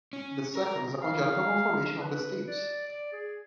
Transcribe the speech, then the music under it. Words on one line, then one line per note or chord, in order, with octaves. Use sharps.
The second is a congenital malformation of the stapes.
C#4
A#4
F5
B4
D5
D5
G#4